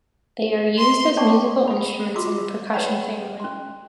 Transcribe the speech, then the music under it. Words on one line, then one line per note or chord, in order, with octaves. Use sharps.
They are used as musical instruments in the percussion family.
C6
C#5 D5 G5 A5 C#6 D6
A4 B5
F4 F#4 C6 D6 E6
B4 C#5 D5 F#5 G5 B5
C#4 C6